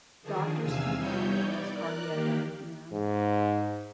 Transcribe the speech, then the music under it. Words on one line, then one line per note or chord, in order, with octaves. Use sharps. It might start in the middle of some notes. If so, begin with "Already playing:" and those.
Doctors confirmed it was cardiac arrhythmia.
D3 D#3 F3 D4 G#4
E2 C3 F5 G#5 E6
G3 B3 D#4 E4 C#5 G6
D5
A#4 D5 F#6
D#3 A#3 G4
G#2